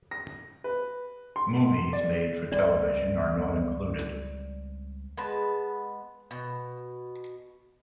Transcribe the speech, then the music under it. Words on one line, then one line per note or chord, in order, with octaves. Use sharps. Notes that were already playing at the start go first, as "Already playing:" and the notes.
Movies made for television are not included.
A#6
B4
C6
D5
C#2 G3 C4 D5
G#3 B3 B4 A5
B2